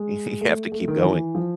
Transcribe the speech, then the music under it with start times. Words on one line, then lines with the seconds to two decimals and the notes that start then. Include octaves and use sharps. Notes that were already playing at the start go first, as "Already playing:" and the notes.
you you have to keep going,
Already playing: G#3
0.41 A3
0.72 A3
0.88 D#3
1.03 E3
1.35 F3